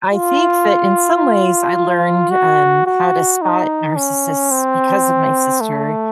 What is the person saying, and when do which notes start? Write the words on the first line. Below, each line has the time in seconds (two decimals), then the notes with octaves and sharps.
I think that in some ways, I learned, um, how to spot narcissists because of my sister,
0.12 F4
2.30 F#4
2.86 F#4
3.42 D#4
3.96 C#4
4.51 C4
5.61 A3